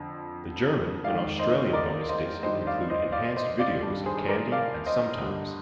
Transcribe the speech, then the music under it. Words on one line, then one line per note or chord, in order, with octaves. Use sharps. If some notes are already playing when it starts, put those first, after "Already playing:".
The German and Australian bonus disc include enhanced videos of "Candy" and "Sometimes".
Already playing: F2 D3
G#2 D#3 D5 F5
C5 D#5
D#5
A#4 D5
C5 D#5
G2 D#3 C5 D#5
D5 F5
C5 D#5
D5 F5
C5 D#5
D5 F5
G2 D#3
G#4 C5
A#4 D5
D5 F5
C5 D#5
G2 D3